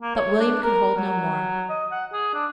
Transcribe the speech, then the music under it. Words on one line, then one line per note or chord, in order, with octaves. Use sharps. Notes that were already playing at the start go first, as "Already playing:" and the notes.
But William could hold no more.
A#3
C#5
D4
A#4
F#3
D#5
F#5
G#4
D4